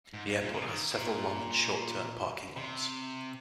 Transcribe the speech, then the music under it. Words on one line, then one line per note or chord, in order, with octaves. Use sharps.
The airport has several long and short term parking lots.
G#2
G2
A#2
C#3
D#3
A#2
C3